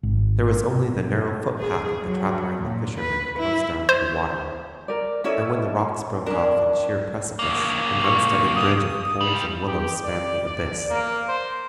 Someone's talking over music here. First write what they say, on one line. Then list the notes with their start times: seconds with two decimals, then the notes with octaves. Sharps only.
There was only the narrow footpath of the trapper and the fisherman close down to the water; and when the rocks broke off in sheer precipice, an unsteady bridge of poles and willows spanned the abyss.
0.03 G#1
0.75 B2
1.59 G#4
2.02 F#3
2.62 A#2
2.99 B4
3.39 E4
3.89 C5
4.88 A#4 D5
5.24 C#4 E4 A4 C#5 D#5 E5
6.26 C#4 D4 A#4
7.39 C#3 A#3
8.03 C#6
8.55 D#6
9.21 C2 G3
9.67 G4
10.04 D5
10.46 D5
10.90 A#3
11.28 C5